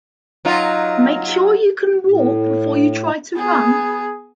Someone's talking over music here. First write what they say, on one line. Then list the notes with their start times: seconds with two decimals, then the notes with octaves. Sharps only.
Make sure you can walk before you try to run.
0.45 F#3 D#4 F4
2.06 A2
3.35 B3 G#4